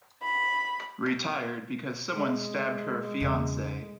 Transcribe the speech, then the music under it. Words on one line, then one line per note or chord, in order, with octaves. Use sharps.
Retired because someone stabbed her fiance.
B5
G#3
E2 C#3